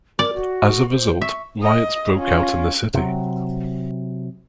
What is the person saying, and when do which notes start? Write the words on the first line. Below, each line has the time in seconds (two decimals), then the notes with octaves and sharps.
As a result, riots broke out in the city.
0.19 A#4 D5
0.34 F#4
0.90 C5
1.21 E5 C#6
1.63 D#5
2.17 C#4 F4
2.94 C3 F#3